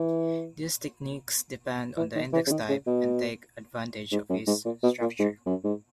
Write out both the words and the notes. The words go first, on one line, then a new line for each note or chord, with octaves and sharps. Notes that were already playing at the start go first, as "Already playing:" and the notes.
These techniques depend on the index type, and take advantage of its structure.
Already playing: E3
E3
D#3
E3
C#3
D#3
C#3
B2
G#2
F#2
G#2
A#2
B2
A#2
G#2
F#2
G#2